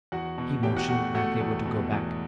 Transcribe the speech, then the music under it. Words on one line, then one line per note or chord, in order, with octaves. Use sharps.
He motioned that they were to go back.
E2 F#4 F#5
B2
E2 G4 G5
F#4 F#5
A3 F#4 F#5
A3 F#4 F#5
E2
B2
E2